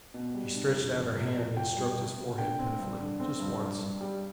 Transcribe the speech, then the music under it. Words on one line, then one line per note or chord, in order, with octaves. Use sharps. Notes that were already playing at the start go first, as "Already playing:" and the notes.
She stretched out her hand and stroked his forehead pitifully--just once.
B2
G3
D4
F2
F2
C3
F2
F2 G5
G3
C3
C3
D3 G5
C4
G2
D3
C4
G2
G2
G2
G3